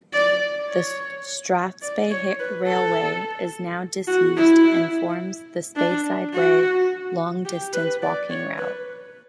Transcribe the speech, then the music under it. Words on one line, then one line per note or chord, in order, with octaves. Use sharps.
The Strathspey Railway is now disused and forms the Speyside Way long-distance walking route.
D5
C#5
D5
C#5
B4
A4
F#4
E4
D4
F#4
G4
B4
D5
C#5
B4